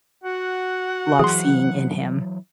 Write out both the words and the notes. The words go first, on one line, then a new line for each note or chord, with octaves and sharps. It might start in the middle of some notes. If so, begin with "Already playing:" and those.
love seeing in him.
F#4 F#5
E3 F#3 G#4 C6